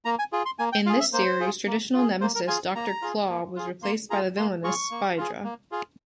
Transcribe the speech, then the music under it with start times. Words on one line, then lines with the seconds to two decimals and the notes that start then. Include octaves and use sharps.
In this series, traditional nemesis Doctor Claw was replaced by the villainess Spydra.
0.05 A#3 A#5
0.19 G#5
0.33 F4 G#4
0.46 C6
0.59 A#3 G#5
0.73 G5
0.86 F4 F5
0.89 G#4
1.00 E5
1.13 A#3 C5
1.40 F4 G#4
1.67 A#3
1.94 F4 G#4
2.21 A#3 C5
2.35 A#4
2.48 F4 G#4 G#5
2.75 A#3 A#5
3.02 F4 G#4
3.29 A#3
3.56 F4 G#4
3.82 A#3 C6
4.10 F4 G#4 A#5
4.37 A#3 C6
4.64 F4 G#4 C#6
4.91 A#3
5.17 F4 G#4
5.44 A#3
5.72 F4 G#4